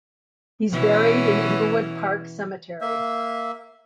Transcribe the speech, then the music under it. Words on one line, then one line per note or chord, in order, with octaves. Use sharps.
He's buried in Inglewood Park Cemetery.
B2 E3 C#4
A#3 E5